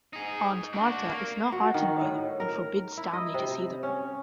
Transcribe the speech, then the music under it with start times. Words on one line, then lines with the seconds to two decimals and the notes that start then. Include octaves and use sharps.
Aunt Martha is not heartened by them and forbids Stanley to see them.
0.13 D#4 G#4
0.73 D4 F#4
1.08 A#3
1.52 F#4
1.74 D#3
2.01 A2
2.40 A#4
2.97 E4
3.13 D#5
3.34 C3
3.83 C#4